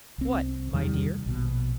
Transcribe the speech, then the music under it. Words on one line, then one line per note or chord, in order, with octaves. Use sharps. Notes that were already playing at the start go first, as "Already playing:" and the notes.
"What, my dear?"
C2 C4
E2 C3 D#3 G3
A#1 B2